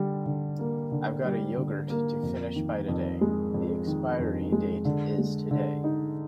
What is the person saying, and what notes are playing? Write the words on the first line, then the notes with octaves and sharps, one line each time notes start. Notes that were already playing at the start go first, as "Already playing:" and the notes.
I've got a yoghurt to finish by today, the expiry date is today.
Already playing: D3 G3
D3
A#3
D3
G3
D3
A#3
F2
D#3
F2
G#3
F2
D#3
F2
G#3
D3
G#3
D3
D#4